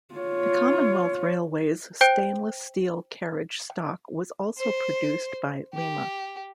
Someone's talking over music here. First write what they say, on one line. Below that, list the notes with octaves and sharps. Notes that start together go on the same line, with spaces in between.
The Commonwealth Railways stainless steel carriage stock was also produced by Lima.
F4 C#5
C5 G5 G6 D7
C5
G4